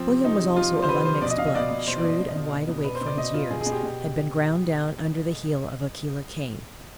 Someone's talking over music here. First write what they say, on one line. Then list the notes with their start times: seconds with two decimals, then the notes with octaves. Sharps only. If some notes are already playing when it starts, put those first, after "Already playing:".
William was also of unmixed blood, shrewd and wide-awake for his years,--had been ground down under the heel of Aquila Cain.
Already playing: F3 C4
0.08 C3
0.24 F3 D#4
0.41 C3
0.56 F3 F4
0.73 F3
0.82 C5
0.89 C3 B4
1.05 F3 C5
1.21 B2 D5
1.30 D#5
1.38 B2 F5
1.46 D#5
1.55 B2 D5
1.71 B2
1.87 B2 C5
1.98 D5
2.03 B2
2.09 D5
2.20 B2
2.35 B2
2.52 B2
2.68 B2
2.84 B2 B4
2.95 C5
3.01 B2
3.06 D5
3.17 B2 D#5
3.33 B2 F4
3.50 B2 G#4
3.61 G#4
3.66 B2
3.72 G4
3.83 B2